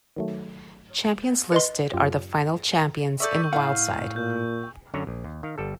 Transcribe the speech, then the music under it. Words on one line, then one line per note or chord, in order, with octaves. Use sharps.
Champions listed are the final champions in Wildside.
D#3 F#3 A3
B4 D#5 C6
F#2 F4 G4
A4 D5 E5 C#6 E6 G6
A2 E4 F5 F#5
A#2 G6
F#2 D3 C#4 C#5 A#5
A#1
D#2
D#3 F5
G1 G3 A4